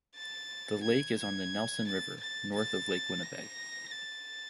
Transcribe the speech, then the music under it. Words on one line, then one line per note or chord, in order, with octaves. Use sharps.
The lake is on the Nelson River north of Lake Winnipeg.
A6
G#6
G#6
A6
A6
A6
A#6
A6